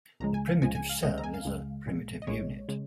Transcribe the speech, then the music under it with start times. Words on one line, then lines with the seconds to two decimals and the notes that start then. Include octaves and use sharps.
The primitive cell is a "primitive unit".
0.20 C#2 C#3 F3 G#3 A#5
0.34 G#5
0.48 F5
0.62 C#2 C#3 F3 G#3 G#5
0.75 G#5
0.89 F5
1.03 C#2 C#3 G#3 D#5
1.18 A#5
1.24 G#5
1.34 F5
1.45 C#2 C#3 G#3
1.86 A#1 A#2 G#3
2.22 D#5
2.27 A#1 A#2 G#3 C#5
2.69 C#3 G#3